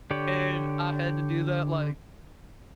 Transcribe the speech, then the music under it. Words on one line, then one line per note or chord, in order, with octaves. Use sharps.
and I had to do that, like,
D3 G4 C#5 D5